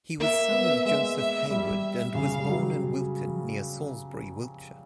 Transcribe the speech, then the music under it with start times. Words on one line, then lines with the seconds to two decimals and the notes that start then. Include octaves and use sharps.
He was son of Joseph Hayward, and was born in Wilton, near Salisbury, Wiltshire.
0.20 A#3 E5
0.52 B3
0.85 G#3 E5
1.17 E5
1.50 G3 E5
2.15 C#3 F5
2.39 G3
2.49 F#3